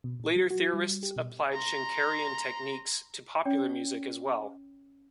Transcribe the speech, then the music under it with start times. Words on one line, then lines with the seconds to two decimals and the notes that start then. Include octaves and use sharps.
Later theorists applied Schenkerian techniques to popular music as well.
0.04 B2
0.20 A#2
0.36 F#3
0.50 F#4
0.74 G3
1.03 G4
1.16 B2
1.53 A#5 C6
3.45 C#4 C#5 G5